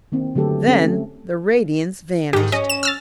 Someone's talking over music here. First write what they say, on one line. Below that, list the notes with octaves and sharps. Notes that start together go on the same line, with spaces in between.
Then the radiance vanished.
D#3 A#3 C4 D4 D#4
D3 F#3 A3 G4 A4 B4
C4 C#4 A4 C#5
A3
G#2 D#3 G4
C#4 D#5
E7
E6 F6 A6